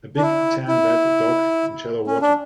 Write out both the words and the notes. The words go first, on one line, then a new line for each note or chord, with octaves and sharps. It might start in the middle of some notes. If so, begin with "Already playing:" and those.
A big tan wet dog in shallow water.
D4
E4
E4
C#4
D4